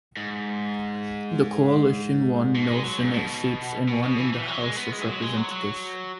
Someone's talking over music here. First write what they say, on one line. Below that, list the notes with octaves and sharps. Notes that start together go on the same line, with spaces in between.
The coalition won no Senate seats and one in the House of Representatives.
G#2
B2
G#3
F#3
G#2
B2
B2
B2
E3
E3
F#3
G#3
B3
G#3
E3
F#3
G#3
F#3
F#3